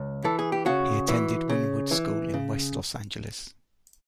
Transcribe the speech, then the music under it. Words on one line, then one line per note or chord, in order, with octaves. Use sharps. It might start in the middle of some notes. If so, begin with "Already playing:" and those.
He attended Windward School in West Los Angeles.
Already playing: C#2
E3 A4
G#4
G4
C#3 F#4
E3
C#3
E3
C#3